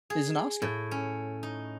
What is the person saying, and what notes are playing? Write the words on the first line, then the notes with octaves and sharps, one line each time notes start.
He's an oscar.
G#4
A2
C#4
D#4